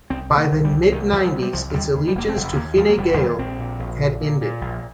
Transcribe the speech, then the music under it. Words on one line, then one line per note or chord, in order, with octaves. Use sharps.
By the mid-nineties its allegiance to Fine Gael had ended.
C2 C4
C3
A#3
C2
G3
C2
C2 D#3
C2 F3
C3
G3
C2 F3
D#2 G3
D#2
G3
F1 A#3
C4
F1
D#2 A#3
D#2 F3
A#3
F1 G3
D#2 G3
A#1 C4
A#2
A#1
A#2
A#2
A#2
A#1